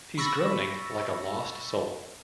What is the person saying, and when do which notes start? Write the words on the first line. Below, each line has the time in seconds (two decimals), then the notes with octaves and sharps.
He's groaning like a lost soul.
0.18 B5 C#6 E6 A6 A#6